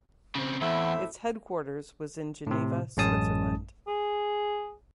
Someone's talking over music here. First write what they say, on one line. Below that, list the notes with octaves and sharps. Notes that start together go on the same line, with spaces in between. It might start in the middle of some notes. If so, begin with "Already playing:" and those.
Its headquarters was in Geneva, Switzerland.
C#3 C4
E2 A2 C4 E5
A2 C3
A1 F#2 G#3 C#4 A5 D#6
G#4